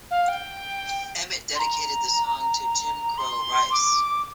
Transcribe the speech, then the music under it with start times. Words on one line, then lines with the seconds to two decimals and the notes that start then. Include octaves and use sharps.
Emmett dedicated the song to "'Jim Crow' Rice".
0.11 F5
0.28 G5
1.55 C6
1.59 A#5
3.18 C6
3.72 D6